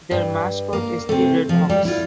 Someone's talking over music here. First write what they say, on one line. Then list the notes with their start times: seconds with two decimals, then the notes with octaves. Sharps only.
Their mascot is the "RedHawks".
0.11 G2
0.73 A#3
1.09 C3 A3
1.49 F3
1.70 G3
1.85 E4 F4